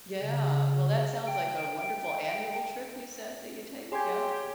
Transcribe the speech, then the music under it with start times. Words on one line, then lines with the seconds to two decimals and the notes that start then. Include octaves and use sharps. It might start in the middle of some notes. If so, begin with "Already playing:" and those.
Yeah. Well, that sounds like a wonderful annual trip you said that you take? Yeah.
0.21 C#3
1.27 G5
3.92 G4 G#4 C#5 G#5 C6 G#6